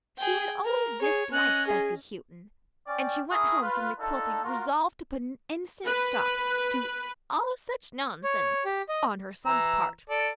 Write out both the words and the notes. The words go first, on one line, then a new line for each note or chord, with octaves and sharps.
She had always disliked Bessy Houghton, and she went home from the quilting resolved to put an instant stop to "all such nonsense" on her son's part.
G#4 G5
A#4
G#4 C#5
C#4 D#5 F#6
G#4
C#4 D5 G5
A3 E4 G#4 A#4 C#6 D#6
F4 B4
D4 D#4 F4 A4
F4 F#4 A#4
B4
C#5
G4
D#5
E3 A#5 E6
A4 D5